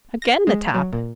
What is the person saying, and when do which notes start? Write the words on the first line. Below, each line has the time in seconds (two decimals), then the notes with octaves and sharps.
Again the tap!
0.22 A#6
0.47 G#3
0.74 F#3
0.93 A#2